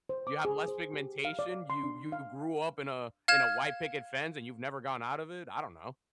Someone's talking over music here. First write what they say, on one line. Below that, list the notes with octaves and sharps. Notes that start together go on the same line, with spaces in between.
you have less pigmentation, you you grew up in a in a white picket fence, and you've never gone out of it, I don't know.
C5
D6
G#4
C5
G4
F5
D5
C6
D4
F5
F5 F6 G#6 E7